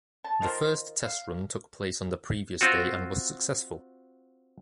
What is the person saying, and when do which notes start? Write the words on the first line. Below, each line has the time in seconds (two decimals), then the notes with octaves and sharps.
The first test run took place on the previous day and was successful.
0.24 A5
0.42 D#3 F4 A#4 C5
1.04 F5
2.61 C4 F4 F#4